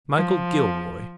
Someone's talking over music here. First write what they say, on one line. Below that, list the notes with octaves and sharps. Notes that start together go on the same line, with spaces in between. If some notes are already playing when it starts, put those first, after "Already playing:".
"Michael Gilroy?"
F3